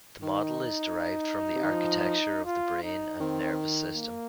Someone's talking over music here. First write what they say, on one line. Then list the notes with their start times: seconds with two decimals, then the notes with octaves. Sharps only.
The model is derived from the architecture of the brain and nervous system.
0.22 D#3 D#4
1.55 C3
1.64 D#3
1.71 F3
2.45 F4
2.83 D#4
3.20 D#3 C4
3.94 A#3